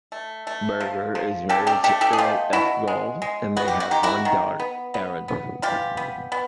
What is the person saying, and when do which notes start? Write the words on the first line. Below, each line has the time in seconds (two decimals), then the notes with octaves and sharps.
Burger is married to Earl F. Gohl and they have one daughter, Erin.
0.12 A3
0.47 A3
0.81 F3
1.15 F3
1.49 C#3 G4 A4
1.67 G4 A4
1.84 A3 G4 A4
2.01 G4 A4
2.13 G#4
2.18 B2 F4 G4
2.53 B2 E4 F#4
2.88 G#3
3.22 G#3
3.57 B3 F#4
3.68 G4
3.80 F#4
3.91 D#3 G4
4.03 E4 F#4
4.25 D#3
4.60 B3
4.94 B3
5.28 B3
5.62 E3 F4 G4
5.97 B3
6.32 B3